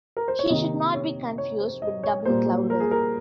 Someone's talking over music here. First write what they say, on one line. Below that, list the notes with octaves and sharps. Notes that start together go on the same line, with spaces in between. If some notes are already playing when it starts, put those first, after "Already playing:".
He should not be confused with Doubleclouder.
A#4
C5
C#5
C3 D#3 A#3 D#5
C#5
C#5
C5
D#5
C#5
A#2 G3 A#3 C5
A#4
G#4
A#4